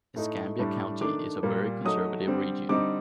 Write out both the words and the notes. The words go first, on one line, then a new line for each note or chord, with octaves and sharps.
Escambia County is a very conservative region.
A2 A3 D#4
A2 G3 D4
D#3 A3 D4 D6
A#2 G3 A#3
F#3 A3 D#4 D#6
D3 G3 C4
D3 G3 C4 D#4 D6